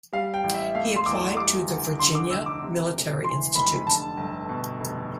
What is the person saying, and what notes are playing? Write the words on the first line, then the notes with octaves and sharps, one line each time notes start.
He applied to the Virginia Military Institute.
G3 F5
G5
A1
E5
A3 F5
C6
E2 D6
G3 D6
D2
D3 C6
D6
F1 E6
D6
C3
E1
E3 C6
F1 B5
D3 A5
G1
B2
F1